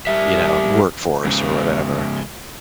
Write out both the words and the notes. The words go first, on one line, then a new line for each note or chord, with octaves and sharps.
you know, workforce or whatever?
G3 E5
G#2 C#3